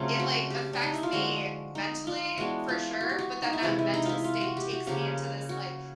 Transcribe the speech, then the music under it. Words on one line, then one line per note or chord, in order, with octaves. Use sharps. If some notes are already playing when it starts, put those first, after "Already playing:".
it, like, affects me mentally, for sure, but, then that mental state takes me into this, like
Already playing: C#3 F#3 A3 C4 F4
F#4
G4
D4
D#4
E4
F4
D3 F3 G#3 F#4
D#4
F4
E3 G#3 B3 D4 F#4
F4
F#4
G4
F#4
D#4
E4
C3 E3 G#3 F4
E4
D#4
E4 F4
F4
F#4
G4
F#4
C#3 F3 A#3 G4
F#4